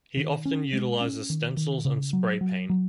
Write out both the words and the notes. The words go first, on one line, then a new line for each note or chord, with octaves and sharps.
He often utilizes stencils and spray paint.
D#3
C#4
G#3
C#4
D#3
D#3
C#3
F#3
F#3
F#3